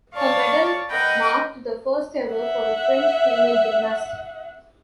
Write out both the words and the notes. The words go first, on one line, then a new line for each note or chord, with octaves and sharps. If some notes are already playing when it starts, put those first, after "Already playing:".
Her medal marked the first ever for a French female gymnast.
C#5 D5 F5 A5 C#6
A#4 B4 D#5 F#5 G5 B5
E5 F#5